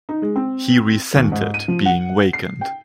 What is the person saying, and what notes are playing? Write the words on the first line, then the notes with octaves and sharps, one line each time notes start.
He resented being wakened.
D#4
G#3
C4
D#2
G#2
D#7
F3
F#5
C7
G5